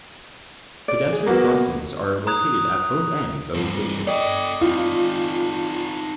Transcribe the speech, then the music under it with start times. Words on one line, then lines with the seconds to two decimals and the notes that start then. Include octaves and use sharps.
Pedestrian crossings are located at both ends of the station.
0.88 D5
1.13 G#4
1.26 A#3 B3 F#4
2.27 A#5 D#6 F#6 G#6 F7
3.54 G2 C4
4.07 A4 D5 D#5 G5
4.61 C4 D#4 F4